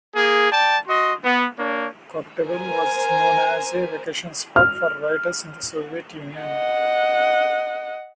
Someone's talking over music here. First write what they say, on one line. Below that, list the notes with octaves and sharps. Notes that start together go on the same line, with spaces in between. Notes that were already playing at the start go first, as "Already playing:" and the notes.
Koktebel was known as a vacation spot for writers in the Soviet Union.
A#3 G#4
D5 G5 A5
F#4 D#5 C6
B3
A#3 D4 C#5
A#4 C5 G#5
F6
D#5 F#5